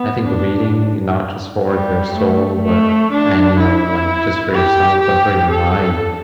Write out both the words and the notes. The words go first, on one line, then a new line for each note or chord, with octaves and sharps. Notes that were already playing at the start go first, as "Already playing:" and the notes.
I think reading, not just, for your soul, but and, you know, like, just for yourself, but for your mind
Already playing: B3
D4
G3
A3
A3
D4
E4
G4
G4
A4